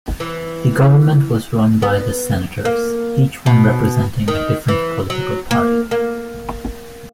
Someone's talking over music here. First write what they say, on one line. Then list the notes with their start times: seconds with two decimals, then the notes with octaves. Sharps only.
The government was run by the senators, each one representing a different political party.
0.20 E3
1.82 B3
2.65 A#3
3.46 B2
4.28 D#3
4.68 E3
5.10 F#3
5.51 A#3
5.91 A#3